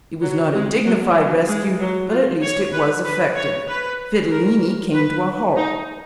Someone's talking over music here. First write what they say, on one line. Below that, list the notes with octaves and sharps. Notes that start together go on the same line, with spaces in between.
It was not a dignified rescue, but at least it was effective; Fidilini came to a halt.
F#3
G#3
F#3
F#3
G#3
F#3
F4
C#5
B4
B4
C#5
B4
A#4
B4
D#4